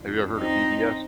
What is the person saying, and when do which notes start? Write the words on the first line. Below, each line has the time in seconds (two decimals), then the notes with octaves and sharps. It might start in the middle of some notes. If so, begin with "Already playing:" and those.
Have you ever heard of BBS?
Already playing: F2 D3
0.38 C4 D#4